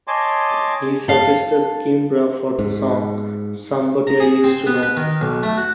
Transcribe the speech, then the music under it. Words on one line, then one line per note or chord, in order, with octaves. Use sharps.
He suggested Kimbra for the song "Somebody I used to Know".
C#5 D#5 G#5 A5 C6 D6
A4 F5
G#2
A#5
G#4
C4
B3
B4
D#3
B1
A3
F#4